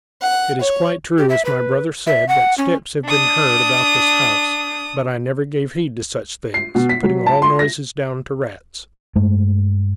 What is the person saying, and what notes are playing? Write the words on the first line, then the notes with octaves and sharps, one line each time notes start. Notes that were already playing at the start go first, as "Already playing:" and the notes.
It is quite true, as my brother said, that steps have been heard about this house, but I never gave heed to such things, putting all noises down to rats.
F#5
C#5
G4
E5
B4
E5
F#5
C#4
D4 D#6
C7
B2
B6
F#3
A5
C6
A#6
G2 G#3 A3